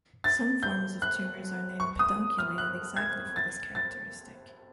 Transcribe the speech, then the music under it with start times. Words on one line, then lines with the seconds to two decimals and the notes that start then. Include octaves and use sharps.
Some forms of tumors are named pedunculated exactly for this characteristic.
0.24 A6
0.63 G6
1.02 F#6
1.80 C#6
1.99 D#6
2.38 F6
2.58 F#6
2.96 G#6
3.36 A6
3.75 A6